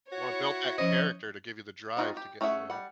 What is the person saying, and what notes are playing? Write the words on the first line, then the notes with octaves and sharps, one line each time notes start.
Or built that character to give you the drive to get to there.
E4 F#4 C#5
F3 C#4 C5 D#5
C4 D4 D#4 F4 F#4
G4
A3 C#4 G#4 E5 F#5
G3 F#5